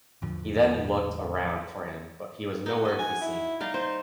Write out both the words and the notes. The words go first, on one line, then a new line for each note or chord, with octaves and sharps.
He then looked around for him but he was no where to be seen.
A1 E2 D3 F3
D#4 F#4
F#4 D#5
G#5
E4
G3 D#4 F5
C5